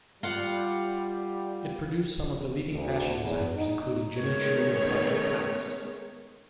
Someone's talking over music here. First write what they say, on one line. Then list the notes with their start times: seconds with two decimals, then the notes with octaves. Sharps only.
It produced some of the leading fashion designers, including Jimmy Choo and Patrick Cox.
0.23 G3 F4 F#5
2.72 D2
3.22 E2
3.57 D#4
4.17 D#3 G#3 A3 B3 C#4 C#5